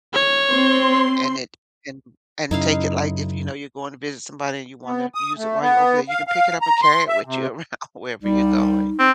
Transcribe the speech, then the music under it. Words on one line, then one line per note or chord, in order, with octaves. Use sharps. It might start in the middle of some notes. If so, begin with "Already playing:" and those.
and it, and and take it, like, if, you know, you're going to visit somebody and you wanna use it while you're over there, you can pick it up and carry it with you around wherever you're going.
C#5
C4 C6
F#2 C#3 D#4 E4 F5
B3
D#6
A3
B3
F5
F5
A#5
C6
E5
C3
C2 G3 D#4
C4